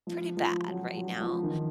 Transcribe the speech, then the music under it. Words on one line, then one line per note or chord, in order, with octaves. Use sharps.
pretty bad right now.
F3
F3
F#3
F#3
F3
D#3